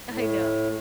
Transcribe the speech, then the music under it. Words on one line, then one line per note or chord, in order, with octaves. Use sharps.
I know.
A2